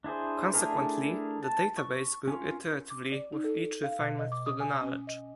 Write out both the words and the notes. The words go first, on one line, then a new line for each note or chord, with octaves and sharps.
Consequently, the data base grew iteratively with each refinement to the knowledge.
D4 E4 G#4 C5
A3 D4 E4 G#4 A#4
A5
C#6
C#4 F4
D6
D5
D#4
A4
F5
B2
D#5
D6
D#6
G#5
C#4
D#5